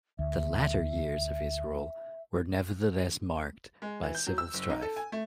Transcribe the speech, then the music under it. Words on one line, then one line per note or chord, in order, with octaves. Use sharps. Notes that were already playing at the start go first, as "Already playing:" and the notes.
The latter years of his rule were nevertheless marked by civil strife.
D2 E5
G#3
E3
G6
F#3
E6
F#1
D#4
A4
G#5
A3